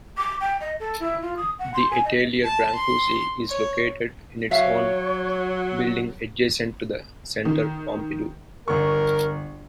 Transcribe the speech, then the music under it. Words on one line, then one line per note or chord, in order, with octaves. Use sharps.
The Atelier Brancusi is located in its own building adjacent to the Centre Pompidou.
D6
G5
D#5
A4
E4
F4
D#6
F#5
C6
G#5
D#5
A5
C6
C#5
F#3 C#5 E5 F5
D#3
G1 A#4 C#6